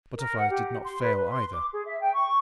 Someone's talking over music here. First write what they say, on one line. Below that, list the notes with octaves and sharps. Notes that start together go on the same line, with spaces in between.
Butterflies did not fail either.
A#4
F#5
G4
C6
B4
B4
C6
D6
G#4
E5
G5
C#6